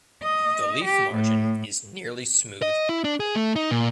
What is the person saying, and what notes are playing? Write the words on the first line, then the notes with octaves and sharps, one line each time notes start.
The leaf margin is nearly smooth.
D#5
G4
A2
D#5
E4
D4
G#4
A3
D#4
A#2